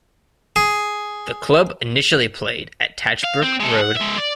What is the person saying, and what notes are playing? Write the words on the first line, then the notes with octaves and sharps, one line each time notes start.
The club initially played at Tatchbrook Road.
G#4
F5
C4
G#3 A4
F#5
G#3 E5
D5